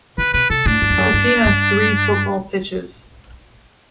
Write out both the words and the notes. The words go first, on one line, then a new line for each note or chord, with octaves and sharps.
The team has three football pitches.
D3 B4
B2 B4
C3 A4
A2 D4
G2
E2
F#2
G2
G2